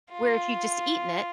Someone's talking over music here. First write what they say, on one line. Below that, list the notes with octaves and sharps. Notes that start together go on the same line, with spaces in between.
where if you'd just eaten it
F4